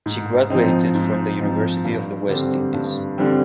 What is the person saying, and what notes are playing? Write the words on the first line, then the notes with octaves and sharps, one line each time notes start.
She graduated from the University of the West Indies.
G#2
F3 C4 D#4
G#2
F3 C4 D#4
G2
D3 G3 C4
G2
D3 G3 C4